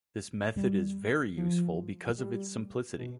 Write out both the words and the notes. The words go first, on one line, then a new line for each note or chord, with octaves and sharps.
This method is very useful because of its simplicity.
G3
F3
G3
B2